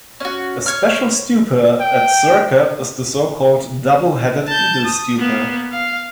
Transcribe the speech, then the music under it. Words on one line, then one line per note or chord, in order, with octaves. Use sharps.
A special Stupa at Sirkap is the so-called 'Double-Headed Eagle Stupa'.
C#4 F#4
C#5 F6
G5
A5 G6
D#6
A#3 B3
F5